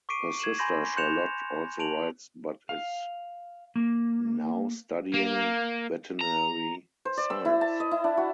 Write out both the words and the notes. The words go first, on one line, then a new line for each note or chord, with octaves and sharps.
Her sister Charlotte also rides but is now studying veterinary science.
C#6 D6 B6 C7 D7 D#7
G#6 C7 D#7 E7 F#7
G#5 B5 C6 G6 A#6
C6 F#6 G6 C#7 E7 F7
A5 D7 F7 F#7
F5
A#3
A#3
A#5
C5
D5
E6
E4
A5
D#5
E4
D4
F#4